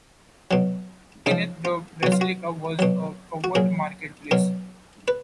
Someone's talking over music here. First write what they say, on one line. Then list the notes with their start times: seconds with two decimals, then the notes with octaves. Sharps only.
Beneath the basilica was a covered market place.
0.51 B2 F#3
1.26 C#3 F3 D#4
1.65 F4
2.03 B2 F#3 F#4
2.12 F4
2.21 F#4
2.79 B2 F#3
3.44 F#4
3.55 A#2 F#3 G#4
4.31 B2 F#3 A#4
5.08 B4